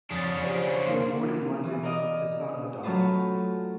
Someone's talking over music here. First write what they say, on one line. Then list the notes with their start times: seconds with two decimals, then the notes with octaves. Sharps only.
He was born in London the son of a doctor.
0.11 F2 C#3 D4 D#6 A6
0.42 F3 G4 C5 D5
0.87 A#3 F5 C6
1.64 E3
1.83 A#4 D5 D#5 F5 D#6
2.83 F#3 A3 C#4 F4 B4 C5